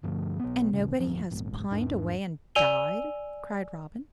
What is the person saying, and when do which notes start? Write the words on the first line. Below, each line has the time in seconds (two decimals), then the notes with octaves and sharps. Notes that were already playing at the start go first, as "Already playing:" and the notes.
"And nobody has pined away and died?" cried Robin.
0.03 G2 D3 F3 A3
0.39 B1 B3
0.73 D#1 A1 C#3
0.99 D1 G1 F2 F3
1.31 A#1 F2 G#2
1.71 E2 G#2 D4
2.55 D5 G#5 E6 D#7 F7 G7